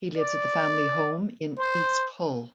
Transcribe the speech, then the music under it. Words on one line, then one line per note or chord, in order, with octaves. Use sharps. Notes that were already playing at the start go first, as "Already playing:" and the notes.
He lives at the family home in East Hull.
D5
C5